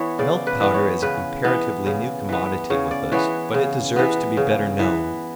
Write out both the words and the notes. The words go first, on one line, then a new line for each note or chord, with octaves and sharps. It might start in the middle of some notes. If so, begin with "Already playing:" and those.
Milk-powder is a comparatively new commodity with us, but it deserves to be better known.
Already playing: E3 B3 C#5
C#3 D5
B4
E3 B3
C#5
C#3 B4
E3 B3
C#3
E3 B3
C#3 C#5
D5
E3 B3 C#5
C#3
E3 B3
C#3
E3 B3